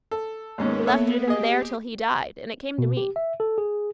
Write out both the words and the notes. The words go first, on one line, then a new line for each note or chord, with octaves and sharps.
He left it in there till he died, and it came to me.
A4
D#2 G#2 A#3 B3 C#4
A4 C#5 E5
G4 G#4 D#5
B2
G4
E5
A4
G#4